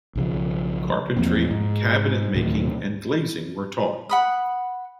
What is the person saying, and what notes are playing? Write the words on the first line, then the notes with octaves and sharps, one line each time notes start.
Carpentry, cabinet making, and glazing were taught.
B1 C#3 F3
E2 F3 A#3 C4
G#2
D2 A2 D#3 F#3
F#5 B5 D#6